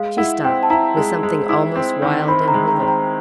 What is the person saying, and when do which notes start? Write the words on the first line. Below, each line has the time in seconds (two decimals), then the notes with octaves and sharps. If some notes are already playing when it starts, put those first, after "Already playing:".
She stopped, with something almost wild in her look.
Already playing: G#3 F5
0.17 E4 F#5
0.45 C4 G5
0.63 A5
0.70 E4 A#5
0.97 G#3
1.23 G#3
1.49 E4
1.76 C4
2.02 D#3
2.28 C4 B5
2.48 A#5
2.54 G#3
2.68 A#5
2.81 C4
2.88 A#5